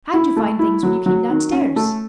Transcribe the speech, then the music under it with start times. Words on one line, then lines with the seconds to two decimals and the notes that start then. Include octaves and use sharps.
How'd you find things when you came downstairs?
0.13 E4
0.36 A3
0.59 E4
0.83 F#3
1.06 F#3
1.30 D#3
1.52 C#4
1.76 A3